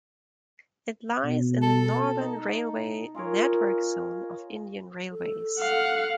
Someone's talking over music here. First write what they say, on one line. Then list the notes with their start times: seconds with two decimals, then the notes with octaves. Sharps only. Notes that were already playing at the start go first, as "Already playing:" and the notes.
It lies in the Northern railway network zone of Indian Railways.
1.24 B2
1.62 A4
2.20 D#4
3.15 F4 G#4 A#4 C#5
5.12 A4
5.60 F5 F#5